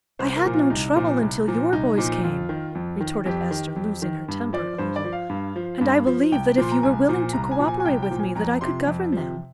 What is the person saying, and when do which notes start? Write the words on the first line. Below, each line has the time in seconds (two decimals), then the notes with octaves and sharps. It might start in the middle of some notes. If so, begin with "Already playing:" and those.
"I had no trouble until your boys came," retorted Esther, losing her temper a little, "and I believe that if you were willing to co-operate with me that I could govern them."
0.19 C2 C5
0.37 A#4
0.45 A#2 F3
0.53 F4
0.70 C2 D#4
0.96 A#2 F3
1.21 C2
1.48 A#2 F3
1.72 C2 D#4
1.98 A#2 F3
2.23 F2 F4
2.49 D#3
2.75 F2
3.00 D#3
3.26 F2 G4
3.51 D#3
3.76 F2
4.02 D#3
4.28 G2
4.53 F3 D5
4.78 G2 C5
4.96 D5
5.04 F3
5.13 F5
5.29 G2
5.56 F3
5.81 G2
6.07 F3
6.32 C2 G5
6.57 A#2 F3 C6
6.72 A#5
6.83 C2 G#5
7.09 A#2 F3
7.33 C2 A#5
7.51 G#5
7.59 A#2 F3
7.68 G#5
7.80 G#5
7.85 C2 G5
8.02 G5
8.10 A#2 F3
8.19 G#5
8.35 F2 A#5
8.61 C3 F3 C6
8.87 F2
9.12 C3 F3